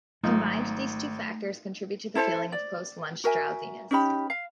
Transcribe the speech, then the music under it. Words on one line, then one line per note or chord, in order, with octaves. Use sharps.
Combined, these two factors contribute to the feeling of post-lunch drowsiness.
G#1 F#3 G#3 A3 D#4 F4
E4 A4 C5 A5
D5
F#4 A#4 E5 G#5
C#4 D#4 G4 B5
F5